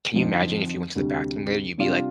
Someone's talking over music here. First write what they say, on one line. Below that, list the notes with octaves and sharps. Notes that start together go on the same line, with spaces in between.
can you imagine if you went to the bathroom there, you'd be, like,
F2 D3 F3 C4 D#4
D2 C3 G3
C3 G3 D4 F4